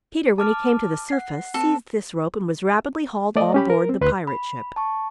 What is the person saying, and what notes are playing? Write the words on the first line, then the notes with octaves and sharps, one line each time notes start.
Peter when he came to the surface, seized this rope and was rapidly hauled on board the pirate ship.
A5 D6 F6
F#5 C7
C4 A4
A3 D5 D#5
C#4 G4 B5
A#4
C4
D2 B4 C6 F#6
B5
A5 C#6